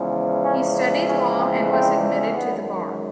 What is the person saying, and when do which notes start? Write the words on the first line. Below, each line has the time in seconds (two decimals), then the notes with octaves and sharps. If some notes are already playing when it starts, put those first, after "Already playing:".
He studied law and was admitted to the bar.
Already playing: E2 C#3 F3 G#3 B3
0.44 C#4
1.07 C#4
1.38 C4
1.71 C4
2.34 F#2 D#3 G#3 B3